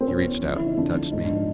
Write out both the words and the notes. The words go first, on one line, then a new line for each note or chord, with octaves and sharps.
He reached out, touched me.
C4
B2 C#4
E2
F3
D3 E4
D#4
F2 D4
F2
G#2 D#4
D4
F3
D#4